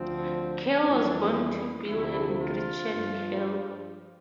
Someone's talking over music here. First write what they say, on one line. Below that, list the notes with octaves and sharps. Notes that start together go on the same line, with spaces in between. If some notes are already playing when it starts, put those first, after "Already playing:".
Curl was born to Bill and Gretchen Curl.
Already playing: D2 D3 F3 C4
F2 E3 G3 D4
E4
D2 C3 F3 E4
F4
G2 F3